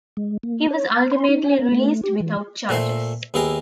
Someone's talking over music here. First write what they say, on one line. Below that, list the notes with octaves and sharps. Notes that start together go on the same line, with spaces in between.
He was ultimately released without charges.
G#3
A#3
C#5
A6
C6
D#4
G#5
B3
A3
G4
E3
A#2 A3 C5 E5 C6
D#2 B3 E4 G#4 G5 A#5